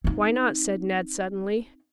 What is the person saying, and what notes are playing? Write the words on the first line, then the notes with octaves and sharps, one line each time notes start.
"Why not?" said Ned suddenly.
C4 D#4